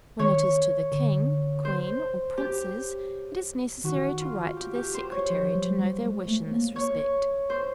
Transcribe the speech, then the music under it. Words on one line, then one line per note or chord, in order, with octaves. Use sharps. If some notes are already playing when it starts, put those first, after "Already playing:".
When it is to the king, queen, or princes, it is necessary to write to their secretary, to know their wish in this respect.
D#3 C#5
D3
C5
G4
D#3 F#4
F4
G4
G4
C5
C#5
F3 C5
F#3
G3
G#3
A3
A#3
C#5
C5